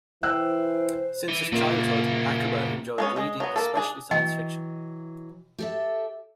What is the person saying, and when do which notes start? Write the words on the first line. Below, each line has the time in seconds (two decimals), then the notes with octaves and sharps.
Since his childhood, Acaba enjoyed reading, especially science fiction.
0.23 E3 C5 G5 E6 F#6
1.28 E3
1.53 A#2 C#3 A#3
2.98 G#3 B3 C#4
3.16 G#3 D#5
3.40 F#3 B3
3.56 A#3 A4
3.75 D4 G#4
4.11 E3 F#3 D#5 G5
5.59 G4 A4 E5